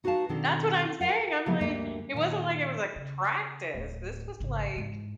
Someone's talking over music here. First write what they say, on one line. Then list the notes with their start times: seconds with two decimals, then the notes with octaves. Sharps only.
That's what I'm saying, I'm like, it wasn't like it was, like, practice, this was, like
0.04 D#4 F#4 B4 D#5 F5 A5
0.29 B2 D#3 C4 D4 A4
1.00 A#4 F5 F#5
1.46 C#3 F3 G3 A#3 B3
1.61 D2 G2 G3 A#3 D4 E5
2.14 A#2 D#3
2.96 C#3
3.74 D1 A2
4.40 G#1 C#3
4.76 G#2 E3